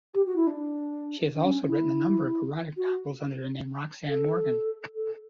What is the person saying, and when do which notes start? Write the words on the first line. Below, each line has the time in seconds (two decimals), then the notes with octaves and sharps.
She has also written a number of erotic novels under the name Roxanne Morgan.
0.14 G4
0.26 F#4
0.36 E4
0.47 D4
1.35 D4
1.45 C#4
1.68 E4
2.77 F#4
4.08 A4
4.95 A4